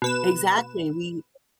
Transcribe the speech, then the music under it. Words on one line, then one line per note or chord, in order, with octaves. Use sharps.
Exactly, we
B2 B4 E7